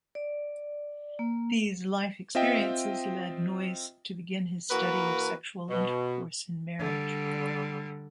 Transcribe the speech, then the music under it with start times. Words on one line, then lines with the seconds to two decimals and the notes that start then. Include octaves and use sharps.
These life experiences led Noyes to begin his study of sexual intercourse in marriage.
0.15 D5
1.19 A#3
2.35 C4 F4 D#5 E5 G5
4.71 E3 A#3 F#4 A#4 B4
5.70 B2
6.80 D3 G3